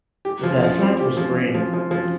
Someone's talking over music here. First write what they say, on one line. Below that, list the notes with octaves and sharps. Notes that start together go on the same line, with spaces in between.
Their flag was green.
G4
F3
F3
C4
G4
F3
C4
F3
F3
F3